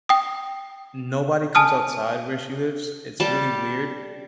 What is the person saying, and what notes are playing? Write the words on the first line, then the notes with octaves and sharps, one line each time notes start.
nobody comes outside where she lives. It's really weird,
G5 D#6
G#5 A5 D#6 F6
G3 A5